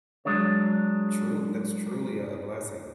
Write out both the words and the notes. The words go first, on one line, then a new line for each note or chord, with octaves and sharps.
tru that's truly a a blessing.
F#3 G#3 D4 C#5